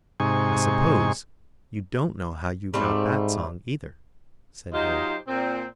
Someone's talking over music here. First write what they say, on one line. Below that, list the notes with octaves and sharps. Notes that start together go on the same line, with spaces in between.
"I suppose you don't know how you got that song, either," said Harry.
G#2 C3 D#4 G#5 C#6
G#2 G3 A3 C4
F#3 D#4 F4 G4 C5 D#5
A#2 C4